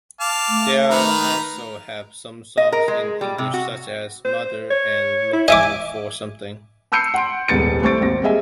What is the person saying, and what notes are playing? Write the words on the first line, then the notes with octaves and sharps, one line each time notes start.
They also have some songs in English such as "Mother" and "Looking For Something".
F5 A5 D6
A3
D#3 B4 A#5
D#5
A#4
G#3
G3
C3
F#4
C5
C#5
E4
D#5 E5 G#5 D6
A5 B5 E6 G6 C7 C#7
F#5 C6 D7
D#1 C2 G#2 B3 A6 C#7
C2 A3 C5 C#6 A6 D7
G#1 D#2 C4 A#6
G3 A#3 G#4 D#5 E5